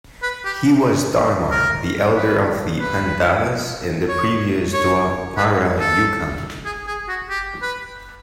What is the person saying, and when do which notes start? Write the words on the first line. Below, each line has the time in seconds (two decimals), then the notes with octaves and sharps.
He was Dharmar, the elder of the Pandavas in the previous Dwapara Yukam.
0.22 B4
0.45 G4
1.51 A#4
2.16 B4
2.80 B4
4.08 C#5
4.73 C#5
5.37 B4
5.80 A4
6.65 G#4
6.87 G#4
7.08 F#4
7.30 G4
7.62 B4